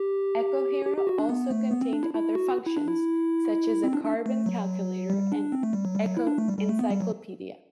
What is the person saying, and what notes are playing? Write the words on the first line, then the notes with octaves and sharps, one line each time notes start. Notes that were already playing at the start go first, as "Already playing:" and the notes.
Ecohero also contained other functions, such as a carbon calculator and eco-encyclopedia.
Already playing: G4
G4
G4
F#4
D4
B3
A3
B3
C4
D4
E4
E4
F#4
E4
D4
E4
C4
D4
D4
A3
F#3
G3
D4
C4
A3
G3
F#3
G3
F#3
E4
D4
A3
G3
G3
A3
B3
G3
F#3